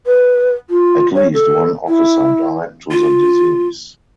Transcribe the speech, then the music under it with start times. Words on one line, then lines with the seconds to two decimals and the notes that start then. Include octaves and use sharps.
At least one officer died to the disease.
0.06 B4
0.70 F4
1.15 C#5
1.34 A4
1.88 E4
2.91 F4